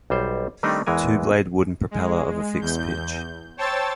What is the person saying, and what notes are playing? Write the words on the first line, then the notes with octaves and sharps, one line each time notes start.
Two-blade wooden propeller of a fixed pitch.
B1 G3 C5
D#3 G3 A3 C4 D4 D#4
E2 E3 G#3 A#4 G#5
G#3
E2 G6
C5 C#5 G5 A5 E6 A6